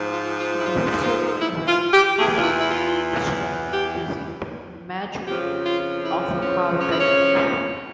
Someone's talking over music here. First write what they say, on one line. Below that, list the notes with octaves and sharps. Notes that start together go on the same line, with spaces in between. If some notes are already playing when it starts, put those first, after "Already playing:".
In the historical era Hathor is shown using the imagery of a cow deity.
Already playing: G#2 F3
F4
F4
E4
F4
F4
E4
F4
G4
E2 E3 G#4
F4
E4
E4
F4
G4
F2 C#3 F3 G4
F4
E4
C#4
C#4
E4
C#4